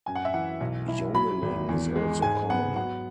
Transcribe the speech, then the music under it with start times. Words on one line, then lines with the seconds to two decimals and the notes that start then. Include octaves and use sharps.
Yodeling is also common.
0.06 F#2 G#5
0.15 F#5
0.25 E5
0.34 E3 F#5
0.60 B1
0.88 E4
1.14 F#3 B5
1.42 G#1
1.69 E2
1.96 G#3
2.22 G#2 G#5
2.49 B3 F#5
2.76 F#3 F#5